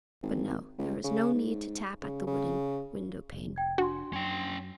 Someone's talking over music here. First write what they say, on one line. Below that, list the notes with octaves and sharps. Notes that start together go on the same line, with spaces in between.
But no--there was no need to tap at the wooden window-pane.
G#1
C#2
C#3
G#2
C#3
C#3
F1
G5 G#6
D4 F#4 C6
F#2 C#4 G5